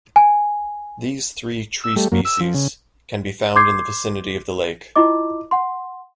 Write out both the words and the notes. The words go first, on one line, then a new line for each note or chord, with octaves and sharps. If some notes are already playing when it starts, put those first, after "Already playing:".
These three tree species can be found in the vicinity of the lake.
G#5
E6
G3 A3
F#2 A#3
E6
F3
C#3
C6 D6 G6 G#6 C7
E4 F4 D#5 D6
F#5 C6